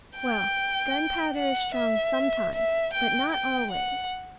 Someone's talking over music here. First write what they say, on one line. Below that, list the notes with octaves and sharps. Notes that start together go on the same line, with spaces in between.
Well, gunpowder is strong sometimes: but not always.
G5
F#5
E5
E5
G5
G5
F#5